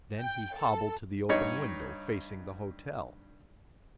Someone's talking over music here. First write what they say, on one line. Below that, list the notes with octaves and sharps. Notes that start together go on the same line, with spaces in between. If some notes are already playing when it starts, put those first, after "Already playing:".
Then he hobbled to the open window facing the hotel.
G5
A4
G2 D#4 C#5